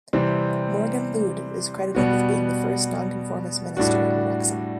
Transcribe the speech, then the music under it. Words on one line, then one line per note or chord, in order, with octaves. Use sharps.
Morgan Llwyd is credited with being the first Nonconformist minister in Wrexham.
C3 E3 G3 C4
B2 G3 B3 F#4
A2 G3 D4 F#4